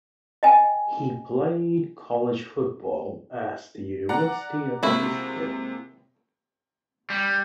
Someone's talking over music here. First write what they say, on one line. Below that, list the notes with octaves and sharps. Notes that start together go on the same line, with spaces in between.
He played college football as the University of Michigan.
D#5 G5 G#5
D5 F#5 A#5
C3 G#3 A#3 E4 F#4
G3